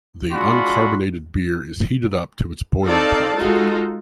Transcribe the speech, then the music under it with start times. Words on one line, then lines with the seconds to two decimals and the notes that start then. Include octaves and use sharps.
The uncarbonated beer is heated up to its boiling point.
0.32 G#3 D4 F4 F#4 B5 C6
2.84 C4 D#4 A4 D5 F5 A5
3.37 G#3 D#4 F4 F#4 A4